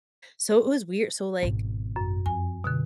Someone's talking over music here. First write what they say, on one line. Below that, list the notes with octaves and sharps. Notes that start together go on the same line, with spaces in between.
So it was weird. So like,
G#1 B2
F#2
F2 G#5
C#2 F#2 B2 D3